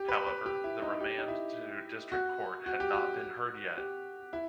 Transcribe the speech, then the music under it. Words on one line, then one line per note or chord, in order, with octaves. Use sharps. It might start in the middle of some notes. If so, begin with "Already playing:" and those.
However, the remand to District Court had not been heard yet.
Already playing: G4
B4
B4
G4
E4
D#4
G4
D#4
E4
F#4
F#4
G4
F#4
G4
E4